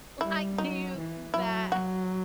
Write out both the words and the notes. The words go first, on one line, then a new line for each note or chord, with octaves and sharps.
Like, do you think that
G3 E4
F#3 D#4
E3
F#3 E4
F#3 F#4